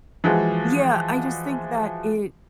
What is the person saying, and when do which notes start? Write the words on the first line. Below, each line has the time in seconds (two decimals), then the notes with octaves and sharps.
Yeah, I just think that it
0.24 E3 F3 G#3 F#4